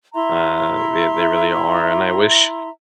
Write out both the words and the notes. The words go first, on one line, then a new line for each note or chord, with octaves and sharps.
uh, they they really are, and I wish
E4 E5 A#5 C6